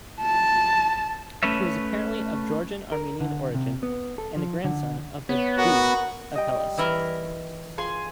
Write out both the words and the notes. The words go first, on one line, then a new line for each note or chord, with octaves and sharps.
He was apparently of Georgian-Armenian origin and the grandson of the "doux" of Hellas.
A5
A3 C#4 B4 C#5 E5
A#4
D3
C3
B3
A4
F3
D3
B3 C#5 B6
F#4 A#4 F#5 A#5
G3 D#5 G5
E3 E4 A#4
F4 G#4 G#5 C6